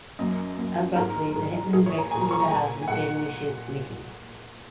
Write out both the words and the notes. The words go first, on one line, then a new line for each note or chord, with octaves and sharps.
Abruptly, the hitman breaks into the house and fatally shoots Nicki.
F#2 F#3 A#3 D#5
F#2 F#3 A#3
G#2 G#3 A#4
G#2 G#3
A#2 G#3 G#4
C#5
A#5
A#2 G#3 G#5
A#5
C#6
A#5
A#2 G#3 G#5
G#5
A#2 G#3 F#5